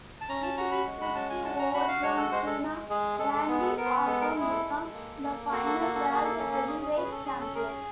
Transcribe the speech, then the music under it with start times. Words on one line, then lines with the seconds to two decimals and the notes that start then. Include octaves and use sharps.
With his victory over John Cena, Randy Orton became the final World Heavyweight Champion.
0.21 A5
0.29 C#4 A#5
0.43 A5
0.57 F#4 A#5
0.72 B5
0.86 G#3
1.01 B5
1.15 C#4 A5
1.30 G#5
1.44 F#4 A5
1.59 A#5
1.74 F#4 B5
1.88 F5
2.03 G#3 C#5
2.17 A4
2.32 G#3 C5
2.47 A4
2.61 G#3
2.90 G#3 G#4
3.19 G#3 A4
3.34 A4
3.48 B3 G#4
3.62 A4
3.77 B3 A#4
3.86 C5
3.92 B4
4.06 G#3 A4
4.21 A#4
4.30 E4 A4
4.41 G#4
4.51 A4
4.64 G#3
4.93 A#3
5.23 A#3
5.52 F#4 A4
5.66 A4
5.80 A#3 A4
5.95 A4
6.10 A#3 G#4
6.24 A4
6.39 C#4 A4
6.53 A4
6.68 C#4 G#4
6.82 G#4
6.97 C#4 B4
7.04 G#4
7.11 A4
7.25 C#4 G#4
7.40 A4
7.55 G#4 A#4